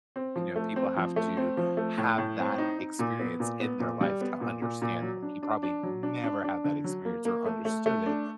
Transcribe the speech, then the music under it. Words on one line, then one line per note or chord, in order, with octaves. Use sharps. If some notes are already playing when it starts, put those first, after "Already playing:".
you know, people have to have that experience in their life to understand that he probably never had that experience or understood it,
C4
F3
A3
C4
F3
A3
C4
F3
A3
A2
A2
C4
D#4
D#4
A#2
B3
A#2
B3
A#2
G3
B3
A#2
A#2
A#2
F#3
D4
D4
D4
F#3
D4
D4
D4
D3
F#3
A#3
A#3
A3
A3
A3
D4